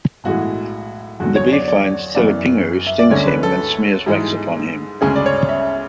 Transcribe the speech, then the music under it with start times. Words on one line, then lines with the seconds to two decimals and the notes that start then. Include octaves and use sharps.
The bee finds Telipinu, stings him and smears wax upon him.
0.24 B1 A2 E3 G#3 F#4
1.20 E2 D3 F#3 F#4
1.36 C#5
1.52 D5
1.68 D5
2.15 F#1 F#2 E3 B3 D5
2.87 E5
2.99 D5
3.10 D2 D3 G#3 C#4 C#5
3.27 B4
3.43 A4
4.06 G#2 E3 G#3
5.01 D2 C#3 G#3 C#4 G#4
5.16 D5
5.26 C#5
5.49 E5